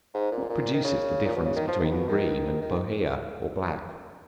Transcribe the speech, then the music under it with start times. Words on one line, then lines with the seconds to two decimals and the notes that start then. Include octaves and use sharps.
What produces the difference between Green and Bohea, or Black?
0.14 G#2
0.31 A#2
0.49 A#2
0.74 D#3
0.84 C#3
1.25 A#2
1.36 B2
1.45 C#3
1.56 D#3
1.68 F3
1.79 D#3
1.91 B2
2.09 D#3
2.61 D#3